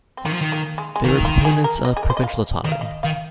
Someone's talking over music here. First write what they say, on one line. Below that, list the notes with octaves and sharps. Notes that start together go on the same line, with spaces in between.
They were proponents of provincial autonomy.
C4
D#3 A#3
F3
D#3
A#3
G#3
G#3
D#3 A#3
F4
G#4
A#4
D#5
G#4
A#4
C5
D#5
F5
D#3 D#5
F5
D#5
D#3 F5